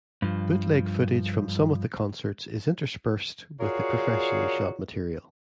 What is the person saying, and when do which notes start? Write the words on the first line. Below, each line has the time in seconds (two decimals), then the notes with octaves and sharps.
Bootleg footage from some of the concerts is interspersed with the professionally shot material.
0.22 G2 F3
3.60 F4 F#4 G#4 A#4 C#5 D5